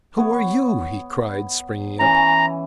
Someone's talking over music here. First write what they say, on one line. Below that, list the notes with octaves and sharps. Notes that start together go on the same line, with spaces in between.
"Who are you?" he cried, springing up.
B3 C#5
E3 C#4 A#5